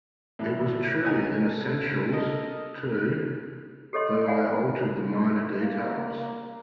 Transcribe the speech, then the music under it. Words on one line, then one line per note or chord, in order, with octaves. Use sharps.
It was true in essentials, too, though I altered the minor details.
A2 E3 G3
C#5 D#5 F#5 G#5 A#5
A4
A4 A#4 D#5
G4 A4 C#5 D#5 C6
D5 F5 F#5 G#5 B5
A#3
A#3